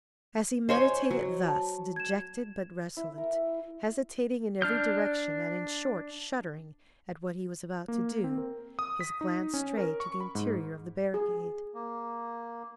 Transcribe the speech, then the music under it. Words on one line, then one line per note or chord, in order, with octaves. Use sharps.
As he meditated thus, dejected but resolute, hesitating in every direction, and, in short, shuddering at what he was about to do, his glance strayed to the interior of the barricade.
C5 C#5 D#5 G#5 C6
F#3
A5
G#6 E7
E4
A#4
D4 F6 G6
A#3
C4
A#4
D#6
B6
D#4
C#4
A#4
C#6
B5
G#2
G#4
A#3